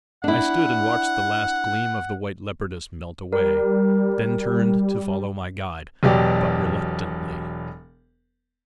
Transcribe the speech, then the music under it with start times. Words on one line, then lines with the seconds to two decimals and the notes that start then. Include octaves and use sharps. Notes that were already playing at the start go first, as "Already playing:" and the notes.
I stood and watched the last gleam of the white leopardess melt away, then turned to follow my guide--but reluctantly.
0.24 D4 E4 F#5
3.33 G3 A#4
6.03 E1 B2 F#3 G4 D5